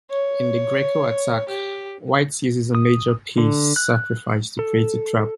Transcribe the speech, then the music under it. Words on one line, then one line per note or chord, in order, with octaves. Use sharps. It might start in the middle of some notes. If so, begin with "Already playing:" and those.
In the Greco Attack White uses a major piece sacrifice to create a trap.
C#5
G4
D#6
D3
F#6
A4